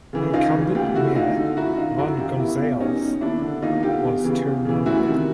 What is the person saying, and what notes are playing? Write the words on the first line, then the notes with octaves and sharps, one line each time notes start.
Incumbent mayor Ron Gonzales was term limited.
C#3 E3
C#2 D#4 F4
C#3 E3
D2 F4 G4
D3 E4 F#4
D2 D#4 F4
D3
F#2 E4 F#4
D#3 D#4 F4
F#2 E4 F#4
D#3 F4 G4
E2 E4 F#4
B2 F4 G4
E2 C#4 D#4
B2
D#2 D4 E4
D3
D#2 D#4 F4
D3 F4 G4
E2
C#3 E3
E2
C#3 E3
D2 E4 F#4
C3 D#3